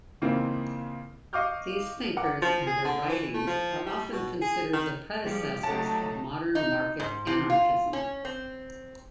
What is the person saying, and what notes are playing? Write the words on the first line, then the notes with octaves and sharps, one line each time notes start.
These thinkers and their writings are often considered the predecessors of modern market anarchism.
C#3 E3 A#3 C4 D#4 F4
D#5 F5 C#6 D6 F6 G6
A#4 F#5 D6
F3
G#4
D3
E3
A3
F3
G3
B2
G#4
D#3
F3 G3 G4 G#4
F#3 A3 D#4 A4 C#5 A5
D#4
G#2
C3
F4
C#4
C4